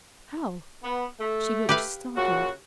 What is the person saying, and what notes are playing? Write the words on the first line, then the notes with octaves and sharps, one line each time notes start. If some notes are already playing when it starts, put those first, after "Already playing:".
"How?" She looked startled.
B3
A3
G4 B4 F5
A#2 C#3 F#4